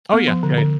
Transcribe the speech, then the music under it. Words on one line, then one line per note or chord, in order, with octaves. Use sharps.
Oh, yeah, yeah.
B3
F3
D3
D3